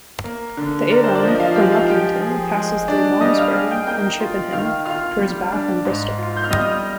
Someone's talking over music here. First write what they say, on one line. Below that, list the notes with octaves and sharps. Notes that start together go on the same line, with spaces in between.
The Avon, from Luckington, passes through Malmesbury and Chippenham towards Bath and Bristol.
A#3
D3
D4 A#4
C5
D5
F3 D#5
F4 F5
G#3 G4
F4 F5
F3 G4 G5
G#4
G#3
D4
G3 D#5 D#6
F5 F6
G#4
G5 G6
A#3 G5 G6
F4
D#3 F5 F6
F4 F5 F6
G3
D4
G#2
F4
G6
F6
G3 D#5 D#6